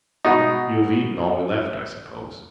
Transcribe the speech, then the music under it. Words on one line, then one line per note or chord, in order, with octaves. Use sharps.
You have eaten all we left, I suppose.
B2 D#4